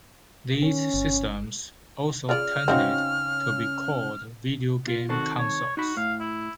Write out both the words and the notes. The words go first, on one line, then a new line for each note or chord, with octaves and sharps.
These systems also tended to be called video-game consoles.
D#3 C#4
G1
C#3 F4 D5 F6
C#3 C4 C#4 D#4 F#4 F5
F4
D#3 C4 F#4 A4
C#5
D#4 F#4 B5
A2 F5
E4